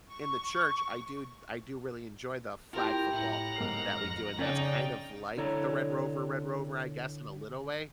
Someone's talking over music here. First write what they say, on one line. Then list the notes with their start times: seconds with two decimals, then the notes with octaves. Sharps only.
in the church, I do I do really enjoy the flag football that we do, and that's kind of like the Red Rover Red Rover, I guess, in a little way.
0.07 C#6
2.73 E4 F4 G4 A#4
3.13 A2 E4 F#5 A#5
3.56 G#2 A#4 C7
3.98 F2 F6
4.38 C#3 C#4 D#4 D5 G5
5.37 D3 E4 A4 C#5 D5 A#5